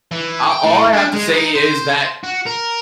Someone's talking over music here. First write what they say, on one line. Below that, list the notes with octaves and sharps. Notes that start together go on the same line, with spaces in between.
A all I have to say is that
E3
G5
A2
D4
G#3
D#4
C5
F#4
A#4